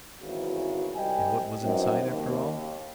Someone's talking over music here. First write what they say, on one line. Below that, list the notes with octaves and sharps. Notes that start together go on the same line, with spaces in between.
And what was inside after all?
G#1 E2 C#3 E3 F#4
C2 G3 D#5 G5 G#5
F#2 E3 F#3 G3 C4 D#4
D#2